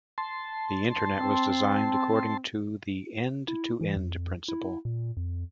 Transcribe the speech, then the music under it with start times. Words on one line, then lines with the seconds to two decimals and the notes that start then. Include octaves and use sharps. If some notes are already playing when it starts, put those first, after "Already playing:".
The Internet was designed according to the end-to-end principle.
0.18 A5 C6
1.13 C4
3.48 E4
3.81 E3
3.97 F2
4.48 E4
4.85 A#2
5.17 F2